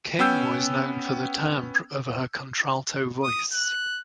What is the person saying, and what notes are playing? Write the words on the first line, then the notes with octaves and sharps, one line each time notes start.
King was known for the timbre of her contralto voice.
B3 C#4 G5 E6 G6
D#6
F#6